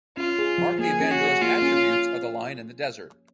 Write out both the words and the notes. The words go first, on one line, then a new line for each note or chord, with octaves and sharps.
Mark the Evangelist attributes are the Lion in the desert.
C#4 F4
G#4
F3
A#3 G#4
C#4
F#4
G#4
A#3 F4
C#4